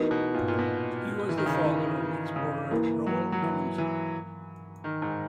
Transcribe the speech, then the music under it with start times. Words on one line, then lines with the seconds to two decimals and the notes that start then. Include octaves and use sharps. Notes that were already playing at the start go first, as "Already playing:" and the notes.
He was the father of the explorer Roald Amundsen.
Already playing: E3 B3 D#4 F#4 A#4
0.11 B2
0.34 A#2
0.48 A#2
0.58 B2
1.29 E3
1.37 D#3
1.46 C#3
1.53 D#3
1.65 E3
2.00 E3
2.36 C#3
2.71 E3 A#3 E4 A#4
3.06 F#3
3.32 F#3
3.43 E3
3.78 E3
4.84 D#3
5.02 G#2